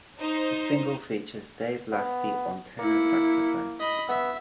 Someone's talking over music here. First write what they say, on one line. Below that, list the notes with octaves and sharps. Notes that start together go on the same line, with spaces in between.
The single features Dave Lastie on tenor saxophone.
D#4 C5
B3
A#3 E4 C#7
D#5 B5
B3 E5